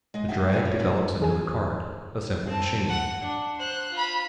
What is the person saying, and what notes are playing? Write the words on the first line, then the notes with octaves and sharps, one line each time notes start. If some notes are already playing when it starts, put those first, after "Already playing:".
The drag develops into the cart, a simple machine.
G#3 D#5
C4 D4 D#4 G4 E5 F#5
C3 E3 F3 A3 A#4 G#5
C#5
D#2 B2 D3 E4 G#4 D#5
E2 G#4 G#5
C4 A5
F#5
D4
C5 F#6
F4 B5